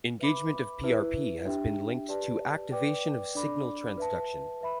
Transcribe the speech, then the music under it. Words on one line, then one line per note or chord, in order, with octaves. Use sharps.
Engagement of PrP has been linked to activation of signal transduction.
B4 E5 B5 D6
E4 B4 E5
D4 G4 E5 G5
G4 B4 D5 A5
B4 D5 G5 D6
D4 A4 D5 B5 D6
B4 E5 A5
B4 E5 B5